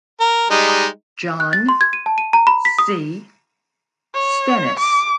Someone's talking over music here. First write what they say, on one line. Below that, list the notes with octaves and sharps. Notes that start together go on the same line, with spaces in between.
John C. Stennis.
A#4
G3 G#3 D#4
F#6
A6
C6
G#6
D#7
A5
D#7
A#5
B5
B6
D#6
C#5
D6